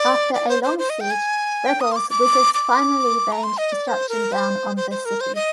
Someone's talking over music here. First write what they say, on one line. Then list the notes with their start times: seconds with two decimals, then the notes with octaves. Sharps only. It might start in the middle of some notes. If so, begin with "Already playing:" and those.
After a long siege, Breggor's wizards finally rained destruction down on the city.
Already playing: D5
0.34 D5
0.49 C5
0.63 C5
0.79 C5
0.90 D#5
1.00 G5
1.11 G#5
1.66 G5
1.81 D#6
1.92 C6
1.96 D6
2.10 D6
2.54 D6
3.32 A#5
3.43 C6
3.58 D#5
3.72 D5
3.88 C5
4.09 A#4
4.32 C5
4.77 C5
4.91 C5
5.05 A#4
5.21 C5
5.35 D#5